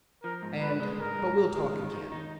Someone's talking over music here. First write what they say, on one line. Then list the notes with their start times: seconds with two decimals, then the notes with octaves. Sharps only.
And--but we'll talk again.
0.24 F3 A#4
0.42 G#2
0.61 G#2 B4
0.80 G#3
0.99 G#2 A#4
1.18 G#2
1.37 G#2
1.56 G#3
1.74 D#3
1.93 D#3
2.12 D#4